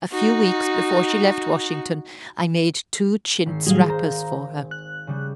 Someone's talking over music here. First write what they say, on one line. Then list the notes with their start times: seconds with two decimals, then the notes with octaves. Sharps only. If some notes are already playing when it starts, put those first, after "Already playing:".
A few weeks before she left Washington I made two chintz wrappers for her.
0.12 D#4 F#4
3.46 G#1 C7
3.66 A2 F#3 G3 G#4 F5
3.90 C5 A#5
4.71 F#6
5.07 C#3 G3